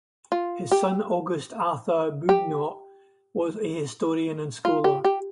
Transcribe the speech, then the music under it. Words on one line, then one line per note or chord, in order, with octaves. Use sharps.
His son Auguste Arthur Beugnot was an historian and scholar.
F4
G4
G4
F4
G4
G4